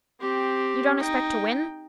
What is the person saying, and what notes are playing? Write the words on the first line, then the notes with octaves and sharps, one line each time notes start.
"You don't expect to win?"
C4 G4
D#4 G5